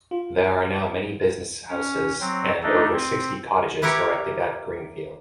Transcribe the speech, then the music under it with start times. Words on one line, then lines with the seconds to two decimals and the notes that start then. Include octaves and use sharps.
There are now many business houses and over sixty cottages erected at Greenfield.
0.11 F4
1.69 C#4
2.20 F#3 C4
2.63 A3 D4 D#4 A4
2.92 C4
3.82 B3 E4 G4 A#4 C#5